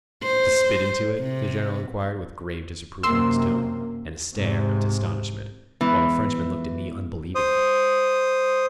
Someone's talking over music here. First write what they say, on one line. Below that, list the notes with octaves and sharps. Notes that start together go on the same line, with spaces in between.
"To spit into it?" the General inquired with grave disapproval in his tone, and a stare, of astonishment, while the Frenchman looked at me unbelievingly.
C5
C3
F#2 C3 A#3 C6 E6
G#2 C3
E3 G#3 B3
C5 D#6